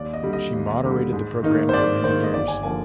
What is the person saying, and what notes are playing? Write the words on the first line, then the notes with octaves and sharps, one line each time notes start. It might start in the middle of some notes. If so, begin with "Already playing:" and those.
She moderated the programme for many years.
Already playing: D#2 D5
D#5
D3 G3
D#5
D#2
D3 G3
G#2
D#3 A#3 D#4
C5
G#2 D5
D#3 A#3 D#4 C5
D#5
G1 D5
G#5
D3 F3 A#3 G#5